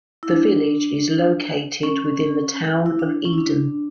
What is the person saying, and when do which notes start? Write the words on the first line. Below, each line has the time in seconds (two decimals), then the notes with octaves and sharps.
The village is located within the Town of Eden.
0.23 E4
0.29 D4
1.83 C#4
2.86 E4
2.99 D4
3.25 C#4
3.33 E4
3.38 D4